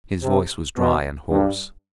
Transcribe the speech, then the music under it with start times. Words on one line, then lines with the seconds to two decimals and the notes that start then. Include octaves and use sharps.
His voice was dry and hoarse.
0.22 C3
0.77 B2
1.31 G2